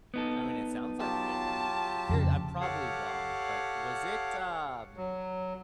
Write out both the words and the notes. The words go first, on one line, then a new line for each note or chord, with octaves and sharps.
I mean, it sounds like a good one. For curi I'm probably wrong, but was it, um,
B3 D#4 A4
F#3 F4 G4 A5
F2 C#3
G4 A4 C#5 F5 F#5
F#3